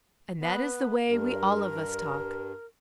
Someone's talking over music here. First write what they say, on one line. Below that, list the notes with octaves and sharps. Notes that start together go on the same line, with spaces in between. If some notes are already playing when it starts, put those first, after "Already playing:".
And that is the way we all of us talk.
B3 B4
G2 A#4